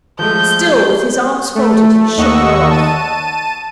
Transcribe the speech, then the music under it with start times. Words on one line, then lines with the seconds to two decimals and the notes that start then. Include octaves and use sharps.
Still, with his arms folded, he shook her off.
0.19 F3 G#3 A3 G6
1.55 A3
2.17 D#2 D#5 F#5 C#6 E6
2.71 A5 D#7